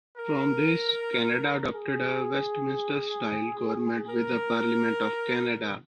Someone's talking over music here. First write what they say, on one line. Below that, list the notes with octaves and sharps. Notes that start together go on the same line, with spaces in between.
From this Canada adopted a Westminster style government with a Parliament of Canada.
A#4
G#4
A#4